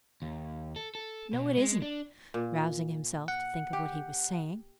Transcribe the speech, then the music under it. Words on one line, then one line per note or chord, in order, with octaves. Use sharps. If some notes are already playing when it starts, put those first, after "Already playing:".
"No, it isn't;" rousing himself, to think of what he was saying.
D#2
A4
A4
B2
G#3
D4
A#2
F#5
G4